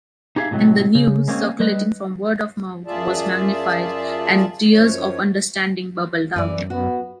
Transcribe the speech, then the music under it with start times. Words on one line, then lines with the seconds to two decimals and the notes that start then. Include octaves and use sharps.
And the news, circulating from word of mouth, was magnified, and tears of understanding bubbled out.
0.36 D#4 G4 G#4 C5 E5 F5
0.51 A2 C3 F#3 G#3
0.95 C#3
1.28 G#3 A#3 C4 C#4
1.60 G3 B4 D#5
2.87 F#2 F4 G#4 D5 E5 A5
4.72 F#2 F3 C#5
6.36 F#2 E3 D5
6.70 B3 F#4